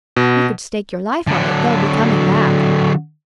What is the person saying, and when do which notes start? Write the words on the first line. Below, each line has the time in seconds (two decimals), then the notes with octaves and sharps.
You could stake your life on it, they'll be coming back.
0.16 B2
1.27 D3 F#3